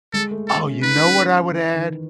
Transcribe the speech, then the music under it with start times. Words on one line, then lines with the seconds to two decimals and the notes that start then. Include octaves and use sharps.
Oh, you know what I would add?
0.13 G#3 A4
0.31 A3
0.48 A3 A4
0.65 C#4
0.82 D#4 B4
1.05 C#4
1.52 E3
1.74 D#3